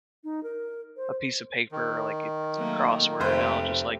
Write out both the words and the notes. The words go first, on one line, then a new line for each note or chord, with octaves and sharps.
a piece of paper, like, if it's a crossword, and I'll just, like,
D#4
A#4
C5
D#3
F#3 A3 A#3
F1 A3 G4 C5